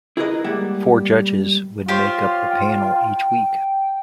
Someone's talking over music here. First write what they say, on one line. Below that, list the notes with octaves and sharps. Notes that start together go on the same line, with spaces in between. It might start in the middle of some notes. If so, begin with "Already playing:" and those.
Four judges would make up the panel each week.
E4 G#4 A#4 B4 C#5 D#5
G3 G#3 A#3 E5 F#5
F4 G4 C5 C#5
G5